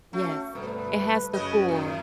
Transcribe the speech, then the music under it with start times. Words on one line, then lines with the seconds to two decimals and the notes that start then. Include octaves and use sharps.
Yes, it has to cool.
0.13 A3 C#4 F#4
0.55 G2 B2 D3 A3 B4
1.33 F#2 C#3 C#4 D#5
1.68 A2